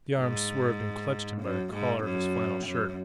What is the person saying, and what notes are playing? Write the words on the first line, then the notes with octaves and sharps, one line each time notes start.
The arm swerved and clutched him by the collar of his flannel shirt.
G#2
F#2
G#2
F#2
F#2